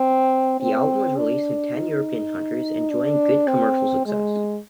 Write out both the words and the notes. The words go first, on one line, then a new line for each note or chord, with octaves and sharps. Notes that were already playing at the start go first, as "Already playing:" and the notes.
This album was released in ten European countries enjoying good commercial success.
Already playing: C4
C4
D4
D#4
D4
C4
G#3